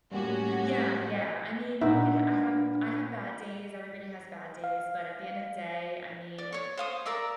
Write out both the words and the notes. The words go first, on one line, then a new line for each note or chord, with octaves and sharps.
Yeah, yeah, I mean, look, I ha I have I have bad days, everybody has bad days, but at the end of the day, I mean,
A2 G3 A#3 C#4 F#4 G4
A#2 B3 D4 D#4 E5
F5
D5
C#5 C#6
C5 F5 D#6
A#4 D5 E5 D6